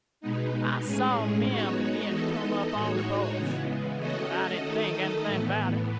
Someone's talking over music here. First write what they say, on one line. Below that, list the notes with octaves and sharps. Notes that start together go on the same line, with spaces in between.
I saw men begin to come upon the porch, but I didn't think anything about it.
B2 G#3 B3 D#4
A2 G#3 C#4 G#4
G#3 B3 D#4 F#4 C#5
E3 B3 D#4 A4 D#5
A2 G#3 D#4 F#4 C#5
C#3 E3 G#3 B3
A3 C#4 F#4 A4 D#5
D#3 A3 D#4 A4 D#5
A2 E3 B3